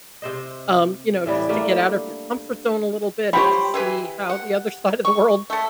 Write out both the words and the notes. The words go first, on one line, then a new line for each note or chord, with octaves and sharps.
um, you know, just to get out of your comfort zone a little bit and to see how the other side of the world,
C3 C5 D#5
A2 E3 G3
G3 A3 A#3 D4
G3 G4 C5 C#5 G5 B5
E3 G#4 B4
F#5
C#6
A3 A4